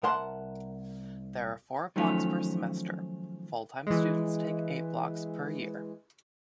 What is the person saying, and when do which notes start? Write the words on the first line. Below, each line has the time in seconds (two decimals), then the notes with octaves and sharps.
There are four blocks per semester; full-time students take eight blocks per year.
0.03 C2 A#4 F#5 A5 C6
1.96 D#3 F3 F#3 A3 C#4
3.87 E3 G#3